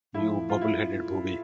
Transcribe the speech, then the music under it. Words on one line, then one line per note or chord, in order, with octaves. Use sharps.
You Bubble-headed Booby!
A2 F3 E4
F4
E4